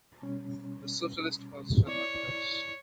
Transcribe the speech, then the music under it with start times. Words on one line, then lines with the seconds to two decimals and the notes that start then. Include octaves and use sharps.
The socialist cause shall not perish.
0.22 B2 G3 C#4
1.88 E4 C#5 D5